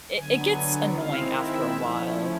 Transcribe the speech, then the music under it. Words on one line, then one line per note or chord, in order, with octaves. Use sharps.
i it gets annoying, after a while
D3 F#3 B3 G#5
D#3 G#3 C4 E4 F5
E5
F3 A3 C#4 E4